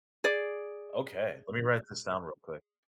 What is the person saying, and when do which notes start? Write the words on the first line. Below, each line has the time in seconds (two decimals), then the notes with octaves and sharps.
Okay, let me write this down real quick.
0.24 G#4 D5